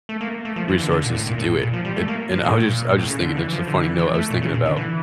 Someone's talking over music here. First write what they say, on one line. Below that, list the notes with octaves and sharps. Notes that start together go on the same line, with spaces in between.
resources to do it. It and I was just I was just thinking, like, it's a funny note, I was thinking about.
A3
A#3
A3
F3
E3
D3
D3
A#2
A2
A#2
A2
A#2
F3
G3
A3
A#3
F3
A2
A#2
A2
C#3
D3
E3
F3
D3
E3
E3
A3
A#2
C#3
A#2
D3
E3